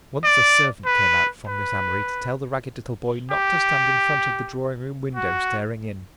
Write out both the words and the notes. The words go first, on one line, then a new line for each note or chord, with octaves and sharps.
Once a servant came out from Miss Amory to tell the ragged little boy not to stand in front of the drawing-room window staring in.
D5
B4
B4
G4
F#4